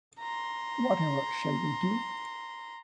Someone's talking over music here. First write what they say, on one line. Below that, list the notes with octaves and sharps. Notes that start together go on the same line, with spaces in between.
Whatever shall we do?
A#5 C6